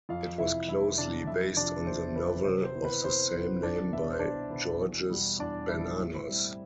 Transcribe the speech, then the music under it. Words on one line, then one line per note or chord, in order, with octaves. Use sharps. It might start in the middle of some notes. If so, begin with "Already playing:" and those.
It was closely based on the novel of the same name by Georges Bernanos.
F2 F4 F5
C3 E3 E4 E5
F2 E4 E5
C3 E3 D4 D5
F2 E4 E5
C3 D4 D5
F3
F2 C5
C3 F3 B4
C3 C5
C5
E3 B3
B4
C3 C5
E3 B3
C2 D4 D5
B2 B3 E5
D5
C5
C2 D4 D5
B2 B3
E2
B2 G3
E2 D4 D5
B2 G3 E4 E5
A2
G3 C4